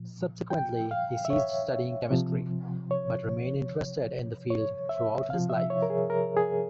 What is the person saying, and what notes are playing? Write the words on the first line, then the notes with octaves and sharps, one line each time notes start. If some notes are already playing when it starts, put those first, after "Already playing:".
Subsequently, he ceased studying chemistry, but remained interested in the field throughout his life.
Already playing: A#2 F3
G5
F5
E5
C#5
C3 F3
C#5
C#5
E5
C3 F3 F5
E5
C#5
A#4
G#4
A#4
G#4